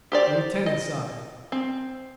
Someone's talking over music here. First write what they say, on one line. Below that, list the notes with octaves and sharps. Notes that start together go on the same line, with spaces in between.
The Lieutenant sighed.
G4 C5 D5
D#5
C4